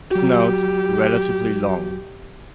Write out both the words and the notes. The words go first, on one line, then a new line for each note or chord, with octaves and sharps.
Snout relatively long.
F#3 F#4 G4